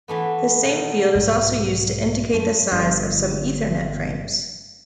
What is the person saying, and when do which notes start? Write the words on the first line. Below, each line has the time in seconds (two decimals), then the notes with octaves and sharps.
The same field is also used to indicate the size of some Ethernet frames.
0.08 E3 A3 B3
0.65 B2 D#3
1.15 B1 G#2 F#3
2.34 F#2 A3
2.72 G1 G2